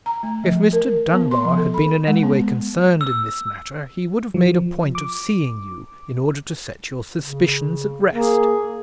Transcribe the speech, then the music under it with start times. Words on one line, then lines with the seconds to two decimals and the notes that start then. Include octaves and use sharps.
If Mr. Dunbar had been in any way concerned in this matter, he would have made a point of seeing you, in order to set your suspicions at rest.
0.06 A#5
0.23 A3
0.44 F3
0.73 A#4
1.13 B3
1.31 C6
1.45 F3
1.58 A4
1.74 B5
2.07 G#3
2.23 B3
3.01 E6
4.34 F3
4.95 D6
7.22 C#3
8.15 A#3 G#4